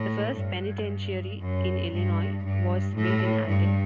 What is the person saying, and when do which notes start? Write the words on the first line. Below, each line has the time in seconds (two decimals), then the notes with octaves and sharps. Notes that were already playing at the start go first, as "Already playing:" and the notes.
The first penitentiary in Illinois was built in Alton.
Already playing: A2
0.37 G2
1.40 F#2
1.92 G2
2.44 G2
2.95 A2
3.48 G2